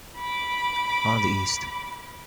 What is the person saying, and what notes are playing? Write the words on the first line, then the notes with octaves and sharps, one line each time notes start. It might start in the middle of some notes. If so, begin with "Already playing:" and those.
On the East.
B5 D6